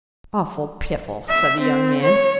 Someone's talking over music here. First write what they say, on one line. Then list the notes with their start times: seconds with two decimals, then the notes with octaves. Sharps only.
"Awful piffle," said the young man.
1.30 E5
1.61 C4
2.03 C#5